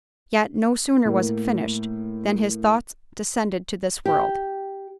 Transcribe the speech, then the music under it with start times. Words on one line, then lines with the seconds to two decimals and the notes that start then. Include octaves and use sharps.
Yet, no sooner was it finished, than his thoughts descended to this world.
1.05 A2 A#3
4.05 G4